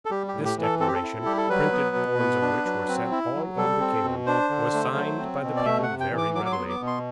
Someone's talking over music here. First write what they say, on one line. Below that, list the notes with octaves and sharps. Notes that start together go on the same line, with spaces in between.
This declaration, printed forms of which were sent all over the kingdom, was signed by the people very readily.
A4
G3 G4
G4
A2
G4
E3
A4
C4 A4
G4
A4
E4
G3 G4
A4
F#3 B4
B3
B2
B3
D4
F#3
C4
E4
F#3
G3 A4
C4
B2
D4 C5
D3
A3
F#3
C4
B2
D5
A3 E5
F#5
C3
G5
E3
D6
F#3 D6
D6
C6
B3
D6
B2
C6